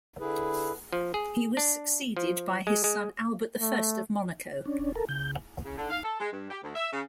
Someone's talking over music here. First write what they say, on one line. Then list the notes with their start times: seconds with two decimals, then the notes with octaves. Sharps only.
He was succeeded by his son Albert the First of Monaco.
0.20 D3 E4 G#4 B4
0.93 F3
1.14 G#4
1.57 D4
2.17 F3
2.67 G#3
2.84 G#3
3.61 A3
4.66 C#4 D4
4.78 E1
4.95 A4 A#4
5.09 C#3 G6
5.65 C#3
5.77 D3
5.91 F5
6.04 A4
6.20 G#3
6.32 G2
6.50 G4
6.63 D2
6.75 E5
6.93 C#3